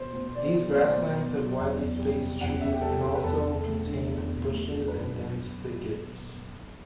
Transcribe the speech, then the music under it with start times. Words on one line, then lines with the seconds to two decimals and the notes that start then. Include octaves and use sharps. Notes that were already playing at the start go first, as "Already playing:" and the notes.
These grasslands have widely spaced trees and also contain bushes and dense thickets.
Already playing: B2 C5
0.13 B2
0.27 C5
0.34 B3 D5
0.55 F#3
0.72 C5
0.75 B2 D5
0.97 B2
1.17 B3
1.37 F#3
1.58 E2
1.79 E2
1.99 G3
2.20 C3
2.41 E2 F#5
2.61 E2 E5
2.72 G4
2.82 G3 A4
3.03 C3 G4
3.15 B4
3.24 E2 A4
3.44 E2
3.64 A3
3.86 D3
4.06 E2
4.26 E2
4.48 A3
4.68 D3
4.88 F#2 B4
5.09 F#2
5.30 B3